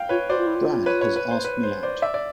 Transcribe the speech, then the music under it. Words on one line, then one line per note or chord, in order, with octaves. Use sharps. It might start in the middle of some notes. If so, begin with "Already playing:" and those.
Brad has asked me out.
Already playing: F5 G5
F4 B4 C#5
F#4 C5 D5
F4
E4
F4
B4 C#5
B4 C#5
B4
C5
B4
C5
C5 D5
D5 E5
D5